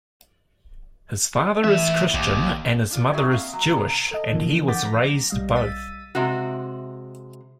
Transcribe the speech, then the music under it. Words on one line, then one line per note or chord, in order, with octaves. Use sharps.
His father is Christian and his mother is Jewish, and he was "raised both".
A2 E3 E5
A#1 D#2
D4 F4 D5
F#3 G3 D#4 F#4 G#4 E5
A#3 C4 E5 F5
F#3
A2 C3 F5 A#5
A4 D#5
D3 E3 F3 A#3
F#5 D6 G6 A6 B6
A#5 A#6
B1 G3 D#5 F5
E6 A6 B6 D#7
C3 G#3 F#4